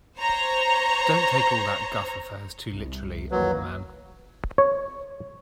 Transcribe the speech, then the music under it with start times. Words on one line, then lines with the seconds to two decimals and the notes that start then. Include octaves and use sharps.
Don't take all that guff of hers too literally, old man.
0.18 C5 C#5 A#5
2.74 C2
3.31 D#3 E3 F#3 A#3 B4
4.58 C#5